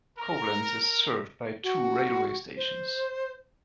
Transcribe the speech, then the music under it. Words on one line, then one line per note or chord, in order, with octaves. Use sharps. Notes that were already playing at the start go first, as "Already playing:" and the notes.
Koblenz is served by two railway stations.
A#4 A#5
F#4
C5